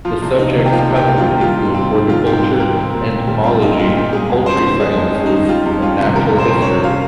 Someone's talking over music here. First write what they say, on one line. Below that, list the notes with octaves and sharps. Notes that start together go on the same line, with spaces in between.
The subjects covered include horticulture, entomology, poultry sciences, and natural history.
F3 F4
C2
A#3 D#4
C3
G4
F3 F4
C2
G4
A#3
F4
C3
G3 F4
G#2
C4
D#3
G3 F4
G#2 G4
C4
D#3 A#4
C4
A#2
A#2
G3
C4 F4
A#2 D#4
D#4
A#2 F4
G3 G4
G#3 G#4
F2
C#4 C5
D#3
G#3 G#4
F2
C#4
D#4
D#3
G3 F4
F2
C#4 F4
C3
G3 A#4
F2
C5
C#4
C#5
C3
C#4 F5